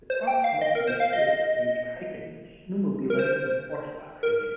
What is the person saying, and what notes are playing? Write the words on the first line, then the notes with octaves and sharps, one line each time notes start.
The park's multi-use trails are used for hiking, snowmobiling and horseback riding.
C5
G5
F5
D#5
A#4
C5
F5
D#5
A#4
C5
A#4